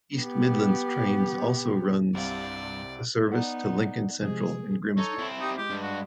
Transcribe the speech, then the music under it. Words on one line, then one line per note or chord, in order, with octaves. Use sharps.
East Midlands Trains also runs a service to Lincoln Central and Grimsby.
B3 G4
C2 G2 C3 C4 D5 F5
B3 D#4 D5 F#5
C3 F3 G#3 G#4
D#4 A4 C#5
C4 E4
D#4 G4
G#3 G4
G2
F#4